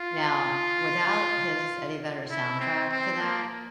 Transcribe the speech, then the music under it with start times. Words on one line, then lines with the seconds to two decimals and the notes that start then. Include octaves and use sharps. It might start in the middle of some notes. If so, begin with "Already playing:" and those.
Now, without his Eddie Vedder soundtrack to that,
Already playing: F4
2.30 E4
2.60 C4
2.90 C4
3.21 A#3